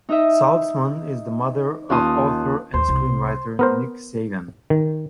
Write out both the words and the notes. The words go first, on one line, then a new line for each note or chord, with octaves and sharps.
Salzman is the mother of author and screenwriter Nick Sagan.
D#4 D#5 E5
D#2 C#4 D#4 F4 A5 D#6
D#2 C5
C2
B3 A#4 C5
D#3